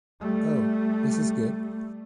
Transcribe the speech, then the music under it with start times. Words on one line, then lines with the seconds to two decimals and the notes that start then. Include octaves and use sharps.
Oh! This is good.
0.21 G3 A3